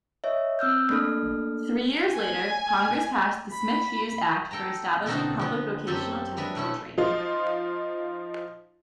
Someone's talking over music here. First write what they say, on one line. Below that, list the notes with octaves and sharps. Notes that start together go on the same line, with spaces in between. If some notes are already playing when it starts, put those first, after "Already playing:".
Three years later, Congress passed the Smith-Hughes Act for establishing public vocational technical training.
C#5 D#5 E5
C4 E6 F6 G6
A3 A#3 D4 A4 F6
G#5
B5
A4 G5 A5 A#5
B2 D3 C4 D#4 F#4
F3 B3
F#2 C4 G4 A4
G#3 D4 B4 E5
B2 A3 C#4 E4
F3 D#4 F4